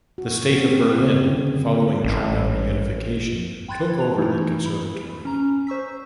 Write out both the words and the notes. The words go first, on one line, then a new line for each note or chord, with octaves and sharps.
The state of Berlin following German Reunification took over the conservatory.
F#4
C4
C#3
D3
A1
G5 B5 C6 F#6 G#6 A6
F7
E3 A3 D#4 E4
B5
C#4 A#5
C5 C#6 E6 B6